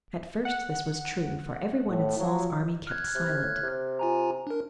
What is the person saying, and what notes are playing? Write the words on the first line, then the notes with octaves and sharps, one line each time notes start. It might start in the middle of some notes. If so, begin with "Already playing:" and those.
At first, this was true, for every one in Saul's army kept silent.
F#5
A2
F3 F#3
F6 F#6 G#6
C3
A2
C3
F4 G#5 A#5
D4 A#4